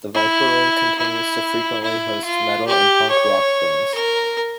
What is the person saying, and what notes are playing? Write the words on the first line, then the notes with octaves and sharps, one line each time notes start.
The Viper Room continues to frequently host metal and punk rock bands.
E4
E4
E4
F4
G4
C#5
A#4